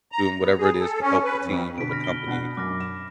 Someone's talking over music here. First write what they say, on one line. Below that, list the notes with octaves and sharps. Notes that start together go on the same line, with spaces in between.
doing whatever it is to help the team, or the company,
A#5
B3
G#4
A4
C#4
B4
F2
B2 D3 B6 D7
B5 F6 A#6
G7
B2 D4 F#5
F#2 D6 F6 A#6
E7